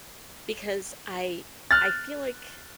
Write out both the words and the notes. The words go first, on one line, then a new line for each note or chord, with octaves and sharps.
Because I I feel like
F6 F#6 A6